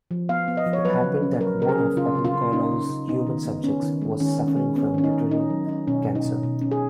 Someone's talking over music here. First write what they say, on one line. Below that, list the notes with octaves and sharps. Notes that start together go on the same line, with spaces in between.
It happened that one of Papanicolaou's human subjects was suffering from uterine cancer.
F3
B3 F5
B3
D#5
F3
C#5
F#3 B4
C#3
C#4
F#3 A#4
C#3 A#4
G#4
C#4
C#3 F4
C#3
F4
C#3
C#4 D#4
C#3
C#3
B3 D#4
D#3
B3
B3 C#4
D#3
G#3
D#3 C#4
D#3
C#4
G#3
B3 C#4
D#3 C#4
D#4
D#3
C#4 D#4
F#3
C#4
B2 C#4
B2
D#4
B2
B2
C#4
G#4